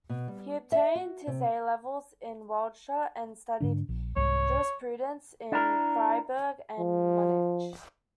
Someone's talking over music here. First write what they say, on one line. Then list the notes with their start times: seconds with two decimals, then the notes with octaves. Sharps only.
He obtained his A-levels in Waldshut, and studied jurisprudence in Freiburg and Munich.
0.09 B2
0.28 G3
0.72 E5
0.95 F#4
1.27 C3
3.60 G#2 D3 D4
3.89 A#1
4.16 C2 G#2 C#5
5.52 D4 E4 A#4
6.79 F3